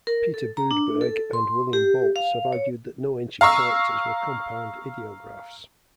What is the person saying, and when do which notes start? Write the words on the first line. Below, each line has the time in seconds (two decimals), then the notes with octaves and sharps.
Peter Boodberg and William Boltz have argued that no ancient characters were compound ideographs.
0.07 A#4
0.34 A4
0.57 A#5
0.71 D4
1.01 A4
1.33 C6
1.73 G4
2.16 F5
2.53 C#5
3.41 F5 A#5 C#6 E6